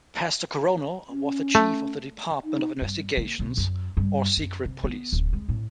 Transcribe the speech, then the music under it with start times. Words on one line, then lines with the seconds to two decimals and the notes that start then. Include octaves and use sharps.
Pastor Coronel was the chief of the Department of Investigations, or secret police.
1.08 C#4
1.55 A3
2.44 D#4
2.82 G2
3.17 A#3
3.39 B1
3.57 F#2
3.97 G2
4.37 F#2
4.65 C3
4.84 B3
5.12 D1
5.33 G#3
5.49 A2